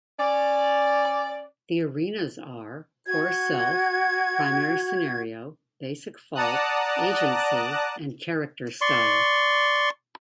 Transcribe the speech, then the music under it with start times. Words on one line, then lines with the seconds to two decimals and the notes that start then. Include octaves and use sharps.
The Arenas are: Core Self, Primary Scenario, Basic Fault, Agency and Character Style.
0.20 C#4 D5
3.07 F#4 G#6
6.35 D5 F#5 A5 A#5 D#6 F#6
8.81 D5 C6 C#6